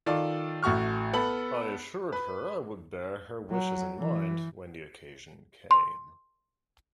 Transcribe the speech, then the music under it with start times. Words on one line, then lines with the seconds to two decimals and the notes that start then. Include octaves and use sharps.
I assured her I would bear her wishes in mind when the occasion came.
0.06 D#3 F4 A4 D5
0.63 A1 A3 F#4 C#6 F6
1.13 B3 A4 B5 F#7
2.12 B4
3.50 F#3
3.98 E3
5.71 C6